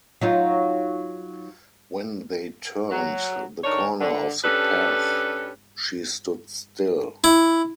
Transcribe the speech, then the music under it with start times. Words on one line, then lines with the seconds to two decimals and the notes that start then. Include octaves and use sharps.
When they turned the corner of the path she stood still.
0.21 F#3 D#4 F4
2.90 F#3
3.64 D#3 D4 C#5
4.00 D3
4.45 C#4 D4 G4 A4 B4
7.24 E4